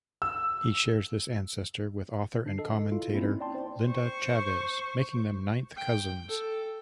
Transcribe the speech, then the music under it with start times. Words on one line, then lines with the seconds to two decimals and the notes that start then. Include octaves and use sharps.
He shares this ancestor with author and commentator Linda Chavez, making them ninth cousins.
0.22 E6
2.44 D3 D4 C7
2.59 A4 D#5
2.92 E4 F4
3.12 A#3 C4 C#4 D#4 E4
3.40 D5 G5 A5 C6
3.54 C5 D5 G5
3.88 C5 C#6
5.76 G5
6.28 A4